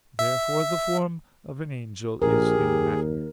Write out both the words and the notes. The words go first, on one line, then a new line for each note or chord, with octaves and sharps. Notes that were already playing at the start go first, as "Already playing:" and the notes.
Therefore the form of an angel is in matter.
E5
A#1 G4 G#4 A#4
D#2